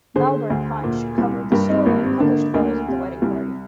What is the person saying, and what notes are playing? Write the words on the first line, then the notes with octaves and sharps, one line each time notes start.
Melbourne Punch covered the story and published photos of the wedding party.
D3 G#4 C5
D2
A#2
C2
G2 G4 A#4
C4 D#4
G#1 A#3
C4
D3 A#3 D4
D2 A#3 D4
C3
C2